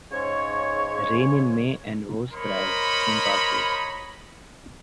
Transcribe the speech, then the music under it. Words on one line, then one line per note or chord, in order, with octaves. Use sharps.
Rain in May and whore’s cry, soon passes.
G#2 C#3 C#5
A#4 C5 C#5 D#5 B5